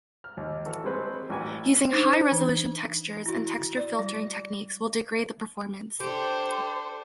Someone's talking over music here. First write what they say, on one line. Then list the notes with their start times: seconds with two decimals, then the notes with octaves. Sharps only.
Using high resolution textures and texture filtering techniques will degrade the performance.
0.24 F6
0.37 D#2
0.66 E3 F#4 A4
0.84 G3 G#3 A#3 C4 B4 C#5
1.30 A1 F#4 G5 G#5
1.91 D4 D#4 C5
2.32 E3
3.26 E4 F#4
3.77 D5
3.99 G3
6.00 D4 G4 A4 C5